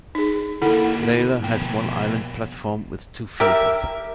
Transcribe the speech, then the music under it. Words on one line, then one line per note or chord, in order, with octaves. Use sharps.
Lalor has one island platform with two faces.
D#4 G#4
D3 A#3 E4 A4 F#5
B2 F3 G5
G4 A#4 E5